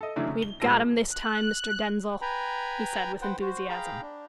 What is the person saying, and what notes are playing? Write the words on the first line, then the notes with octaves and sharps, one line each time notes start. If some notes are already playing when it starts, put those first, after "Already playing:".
"We've got him this time, Mr. Denzil," he said, with enthusiasm.
A4 D#5
C#3 E3 F#3 A3 D4 E4
C#3
G7
D#1 G#3 F4 A5 E6 A#6
F#6
B4 G5 G#5 A#5 B5
B4 C5 F#5 G5
F#4 C5
G#4 F5 G5 A#5 B5
D4